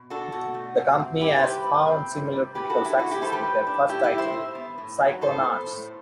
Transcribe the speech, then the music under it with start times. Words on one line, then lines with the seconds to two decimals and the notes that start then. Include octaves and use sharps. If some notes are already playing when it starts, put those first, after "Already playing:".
The company has found similar critical success with their first title, "Psychonauts".
Already playing: B2
0.10 D4 F#4 A4
0.32 B2 F#4
0.54 A3
0.77 C3
1.00 C4
1.21 C3 E4 G4
1.38 C5
1.43 G3 G4 B4
1.66 C3
1.88 C4
2.11 C3
2.33 G3
2.55 A2 G4 B4
2.70 F#4 A4
2.78 D4
2.85 E4 G4
2.99 A2 F#4
3.11 E4 G4
3.22 G3 A4 C5
3.32 G4 B4
3.44 A2
3.67 D4
3.89 A2 E4 G4
4.03 E4 G4
4.10 G3
4.18 C5 E5
4.33 A2
4.55 B3
4.78 A2
5.00 F#3
5.21 A2 A4 C5
5.44 B3
5.66 A2